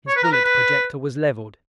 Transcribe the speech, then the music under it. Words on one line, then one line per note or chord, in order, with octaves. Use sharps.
His bullet projector was leveled.
C#5
B4
A#4
B4
B4